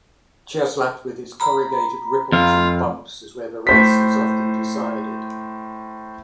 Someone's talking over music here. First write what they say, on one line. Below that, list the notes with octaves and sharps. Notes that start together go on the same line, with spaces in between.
Ciaslat with its corrugated ripples and bumps is where the race is often decided.
A#5 B5
F2 F4
A2 C5 B6